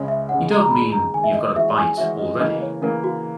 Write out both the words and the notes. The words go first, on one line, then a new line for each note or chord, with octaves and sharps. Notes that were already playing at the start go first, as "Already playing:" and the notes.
You don't mean you've got a bite already?
Already playing: C#2 C#3 G#3 C#4
E5
C#2 C#3 G#3 C#4 F#5
A#5
A#5
E2 D#3 G#3 B5
A#5
E2 D#3 G#3 G#5
E5
D#5
E3 G#3 C#4 F#4 E5
G#5
E3 G#3 C#4 F#4 E5
D#5
C#3 E3 A#3 D#5
C#5
C#3 E3 A#3 A#4
F#4